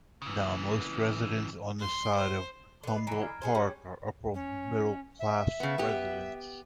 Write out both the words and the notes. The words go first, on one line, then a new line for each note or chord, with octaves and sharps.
Now most residents on this side of Humboldt Park are upper middle class residents.
C#3 E3
C6
C5
D3 B4
D#5 B5 C7
D3 E3 A#5 D7
F6 G#6
B3 G#4 C5 G#6
G3 C#4 C#5
C#4
E5
C#3 B3
B3 G4